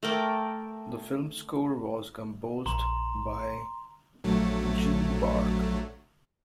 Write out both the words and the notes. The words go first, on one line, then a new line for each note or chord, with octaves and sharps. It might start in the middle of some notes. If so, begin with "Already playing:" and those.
The film score was composed by Ji Bark.
A3 A#4 G5 D6
A#1 A#5 C6
A#1 F#3 A3